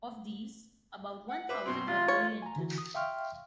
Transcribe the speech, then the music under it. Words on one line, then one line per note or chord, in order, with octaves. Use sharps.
Of these, about one thousand were Oriental.
F#5
B4 C5 E5 D6
F#2 B2 C4 C6
A1 F4
C#5
G#5 A#5
D3 E3 F#4
D#6
E5 F5 G5 C6 C#6 F6